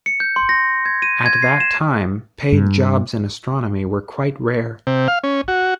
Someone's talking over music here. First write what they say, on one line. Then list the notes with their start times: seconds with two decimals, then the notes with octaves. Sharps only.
At that time, paid jobs in astronomy were quite rare.
0.06 C#7
0.20 G6
0.36 C6
0.49 A#6
0.86 G#6
1.02 D#7
1.26 G#6
1.42 C7
1.60 E7
2.52 G2
4.87 C3
5.08 F5
5.23 C#4
5.48 F#4